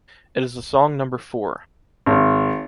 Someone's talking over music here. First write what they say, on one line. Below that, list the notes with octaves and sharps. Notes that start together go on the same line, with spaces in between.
It is the song number four.
G#1